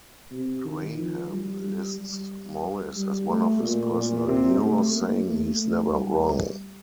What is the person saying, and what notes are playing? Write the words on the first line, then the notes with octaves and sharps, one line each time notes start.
Graham lists Morris as one of his personal heroes, saying he's never wrong.
C3
D#3
F3
G3
G3
G3
G3
A3
A#2
A#2
C3
A3
A#3
A3
A3
G3